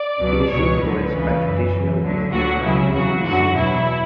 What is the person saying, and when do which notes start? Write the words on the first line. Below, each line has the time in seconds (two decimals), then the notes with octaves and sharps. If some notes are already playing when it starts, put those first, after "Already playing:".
It is influenced by traditional Mediterranean cuisine.
Already playing: D5
0.19 C#2 B2 F#3
0.49 C#2 B2 F#3 C#5
0.81 D2 D3 F#3 B4
1.11 C#2 C#3 E3
1.41 F#2 E3
1.72 F#2 E3
2.02 D2 D3 F#3
2.32 D2 D3 F#3 F#4
2.63 C#2 C#3 F#3 E4
2.93 E2 C#3 F#3 F#4
3.24 F#2 D3 F#3 F#4
3.55 E2 B2 F#3 E4